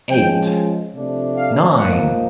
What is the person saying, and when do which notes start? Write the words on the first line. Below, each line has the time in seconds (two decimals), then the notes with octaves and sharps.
Eight, nine!
0.11 F3 G#3 C#4 G5
0.95 C3 F3 A3 D4
1.36 F5
1.77 A#2 F3 A#3 D#4 F#5